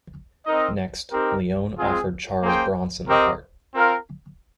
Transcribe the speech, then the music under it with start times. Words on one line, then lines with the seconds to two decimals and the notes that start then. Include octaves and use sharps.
Next, Leone offered Charles Bronson the part.
0.46 C4 D#4 A#4 D#5
1.11 C4 D#4 G4 A#4
1.78 G#3 C4 F4 G#4
2.43 A#3 C#4 G#4 C5 G5
3.09 C4 G4 A#4 D#5
3.75 C4 F4 A#4 F5